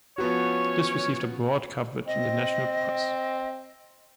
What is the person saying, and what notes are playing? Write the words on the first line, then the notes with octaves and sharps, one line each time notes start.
This received a broad coverage in the national press.
F3 B3 C#4 F#4 C#5
C4 D#5